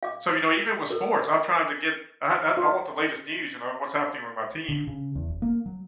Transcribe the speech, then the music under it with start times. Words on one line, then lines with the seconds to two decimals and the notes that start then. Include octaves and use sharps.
so, you know, even with sports, I'm trying to get I I I want the latest news and know what's happening with my team.
0.03 F5 D6
0.90 A4 A#4
2.57 F4
4.69 D3
4.87 C#3
5.15 E2
5.28 F1
5.42 A#3
5.66 F#3